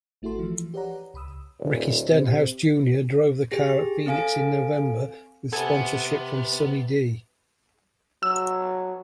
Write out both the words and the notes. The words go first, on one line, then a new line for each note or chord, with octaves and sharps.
Ricky Stenhouse Junior drove the car at Phoenix in November, with sponsorship from SunnyD.
G#1 A3 E4 F#4 A4 C6
E3 F3
G4 B4 C#5 D5 F#5 A#5
C#2 B5 D#6 E6
D#1
C3
G4 G#4 A#6
C4 A4 F5 G#5 D7
C3 B3 A4 G#5 A5
F#3 E6